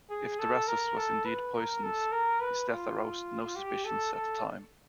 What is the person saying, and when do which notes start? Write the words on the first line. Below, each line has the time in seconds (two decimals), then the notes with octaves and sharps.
If Drusus was indeed poisoned, his death aroused no suspicions at the time.
0.10 G#4
0.39 A4
0.68 A#4
0.97 A4
1.25 B4
1.55 A#4
1.83 A4
2.12 A#4
2.41 B4
2.70 F4
3.56 G4
3.85 A4
4.13 A4